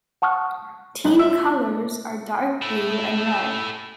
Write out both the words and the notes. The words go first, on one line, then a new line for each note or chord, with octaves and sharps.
Team colours are dark blue and red.
F#5 A5 C#6 D#6 F6 F#6
B1
E5
A3 E4